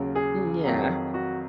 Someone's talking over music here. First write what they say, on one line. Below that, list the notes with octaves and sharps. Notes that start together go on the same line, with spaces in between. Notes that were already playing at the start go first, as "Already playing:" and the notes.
M Yeah.
Already playing: D#2 C#3 F#3
G#4
F2 D#3 F#3
F#4